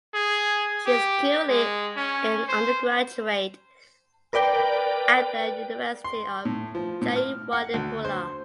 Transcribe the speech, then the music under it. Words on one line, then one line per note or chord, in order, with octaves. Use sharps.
She is currently an undergraduate at the University of Jayewardenepura.
G#4
G4
G#3
C#4
C5
A#4 B4 D5 G5
C6
A2
F3
A2
F6
F#5
D2
C5